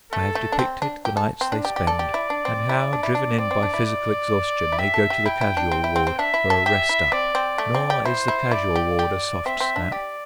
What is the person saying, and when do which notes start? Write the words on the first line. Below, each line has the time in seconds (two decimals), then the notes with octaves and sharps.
I have depicted the nights they spend, and how, driven in by physical exhaustion, they go to the casual ward for a "rest up." Nor is the casual ward a soft snap.
0.12 A3 A4
0.35 A3
0.52 D4
0.59 C4
0.82 D4
1.05 G4
1.17 A4
1.41 C4
1.52 D4 D5
1.65 G4
1.76 G4
1.87 A4
1.99 G4
2.14 E4
2.30 D4
2.45 C4
2.69 E4
2.93 D4
3.03 E4
3.15 D4
3.38 C4 D5
3.51 C4
3.63 D4
3.74 E4
3.86 D5
4.72 E4
4.79 G4 E5
4.94 A4
5.10 G4
5.25 E4 G5
5.41 E4
5.57 D4
5.72 C4
5.84 E4
5.96 C4
6.07 C4
6.19 D4 E5
6.34 E4
6.50 A4
6.65 G4 E5
6.89 E4
7.12 C4 D5
7.35 C4
7.58 A3
7.75 C4
7.90 G4
8.05 E4 C5
8.28 E4
8.51 E4 D5
8.76 G4
8.99 G4
9.45 C4 E5
9.60 C4
9.76 D4
9.92 G4 D5